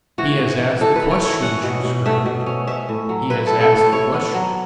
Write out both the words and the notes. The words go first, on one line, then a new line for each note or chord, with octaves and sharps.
"He has asked the question!" she screamed--"he has asked the question!"
E3 F#4
E3
E3
E3 A4
B4
E3
C#5
E4 C#5
C#4 F#5
B2
B2
A3 E5
B2
C#4
C#4 E5
A2
F#3
E4 B4
E4 A4
A4
A2
A4
E4 C#5
B3
F#3